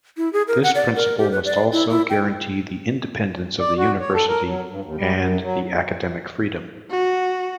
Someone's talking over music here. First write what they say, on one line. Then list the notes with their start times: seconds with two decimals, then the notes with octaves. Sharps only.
This principle must also guarantee the independence of the university and the academic freedom.
0.17 E4
0.33 G#4
0.48 A#4
0.63 F#5
0.75 D5
0.96 A#4
1.18 G4
1.32 B4
1.45 D5
1.72 E4
1.89 E4
2.10 G5
3.59 D5
3.78 F#4
4.00 C#5
4.14 A4
4.28 A#4
4.46 F#3
4.70 G2
4.85 D#2
4.98 G3
5.14 F#2
5.42 F#3
6.91 F#4